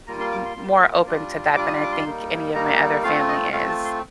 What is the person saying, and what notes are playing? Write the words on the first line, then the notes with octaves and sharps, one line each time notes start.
m m more open to that than I think any of my other family is.
G3 A#3 F4 A#5
C6
D6
C6
G3 A#3 F4
G3 D4 F4
G3 D4 F4 D6
D#6
D6
C6
G3 A#3 D#4
G3 A#3 D#4 A#5
A3 C4 F4 F5
D#5
A3 C4 F4 F5
A5
C6